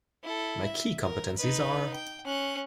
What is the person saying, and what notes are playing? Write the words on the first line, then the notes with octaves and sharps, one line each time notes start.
My key competencies are...
E4 A4
E5
A#4
D#4 B4
G5
C#4 F#6